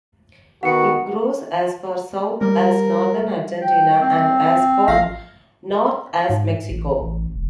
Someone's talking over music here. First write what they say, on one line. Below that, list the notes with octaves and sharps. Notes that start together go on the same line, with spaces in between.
It grows as far south as northern Argentina and as far north as Mexico.
D#3 B3 F#4 F#5 C#7
G3 A#4
G5
C4
A1 F3 F5 A#6
G#2
A1
A1
E1